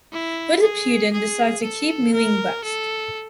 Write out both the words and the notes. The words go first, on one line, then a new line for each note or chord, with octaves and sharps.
What if Putin decides to keep moving west?
E4
G#4
G#4
A4
A#4
A4